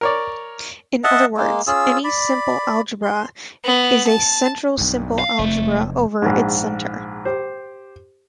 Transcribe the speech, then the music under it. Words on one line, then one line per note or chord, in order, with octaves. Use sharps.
In other words, any simple algebra is a central simple algebra over its center.
A#4 C#5 D5
D#5 E5 F#5 A5
G#3 A#3
C#4 F4 G#4 E6
D5 B5
C6
B3
A5
B1 G2
F5
F1 E2 A3
A#1 G#2
G4 C5